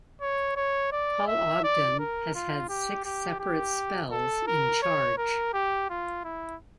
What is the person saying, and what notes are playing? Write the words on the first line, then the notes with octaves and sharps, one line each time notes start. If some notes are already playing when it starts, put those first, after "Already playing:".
Paul Ogden has had six separate spells in charge.
C#5
C#5
D5
E5
D5
A#4
F4
G4
G4
G4
A4
A#4
C#5
A#4
G4
F4
E4